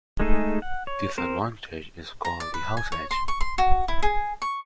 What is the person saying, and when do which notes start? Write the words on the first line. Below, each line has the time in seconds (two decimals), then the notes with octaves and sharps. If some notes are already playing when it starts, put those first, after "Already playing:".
This advantage is called the "house edge".
0.20 G#3 A3 D#4 G#4 A4
0.62 F#5
0.87 C#5
1.18 C4 A#4 C5
2.25 A#5
2.40 D5
2.54 B4
2.77 G#5
2.92 C#5
3.11 C6
3.28 C#6
3.41 C6
3.58 F#4
3.88 E4
4.02 G#4
4.42 C#6